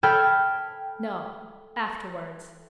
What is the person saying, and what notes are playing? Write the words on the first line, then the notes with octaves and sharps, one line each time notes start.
"No, afterwards."
A4 G5 B5 F6 G#6